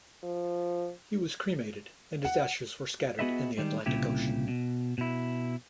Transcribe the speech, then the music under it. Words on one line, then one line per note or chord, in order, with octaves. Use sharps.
He was cremated, and his ashes were scattered in the Atlantic Ocean.
F3
F#5
B3 F#4 G#4 B4 D#5 E5
D#3 G3 G#3
C2 A#2 C#3 E4 G4
B2
B2 E4